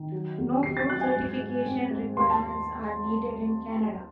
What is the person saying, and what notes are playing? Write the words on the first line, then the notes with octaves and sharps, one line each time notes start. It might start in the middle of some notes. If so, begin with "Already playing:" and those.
No food certification requirements are needed in Canada.
Already playing: D#3
F#3
E2
C3 C7
A6
F#3 F#6
G#5
G#2
G#2
C4
G#2
D#2 C6
A5